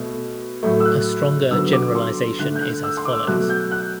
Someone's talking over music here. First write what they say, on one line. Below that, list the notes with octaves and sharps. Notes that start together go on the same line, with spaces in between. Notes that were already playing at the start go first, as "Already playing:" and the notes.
A stronger generalization is as follows.
Already playing: B2 A3
A2 F#3 A3
E6
F#6
D3 F#3 B3 E6
D6
C6
D3 A3 F#6
G6
F#6
E6
C6
D6
E6
B2 F#3 A3 F#6
G6
F#6